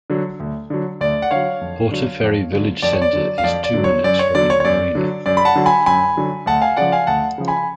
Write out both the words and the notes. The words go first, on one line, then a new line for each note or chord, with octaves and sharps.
Portaferry village centre is two minutes from the marina.
D3 F#3
D2
D3 F#3
D2 D5
F#5
D3 F#3 C#5 F5
F2
D3 F#3
F2
D3 F#3
F2 D5
C#5
D5
D3 F#3
F5
F2 D5
D5
D3 F#3
C#5
F#2 D5
C#5
D3 F#3 D5
C#5
C#5
F#2 D5
D3 F#3
F#2 D5
B5
F#5 A5
D3 F#3
G#5 B5
F#2 G#5 B5
D3 F#3
D2 F#5 A5
F5 G#5
C#3 F3 D5 F#5
F5 G#5
D2 F#5 A5
C#3 F3
G#5 B5